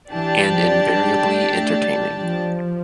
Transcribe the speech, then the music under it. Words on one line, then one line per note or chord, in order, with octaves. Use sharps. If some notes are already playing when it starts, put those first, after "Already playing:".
And invariably entertaining.
E3 D4 G4 D5 A5
F3
G3
A3
A3
G3
F3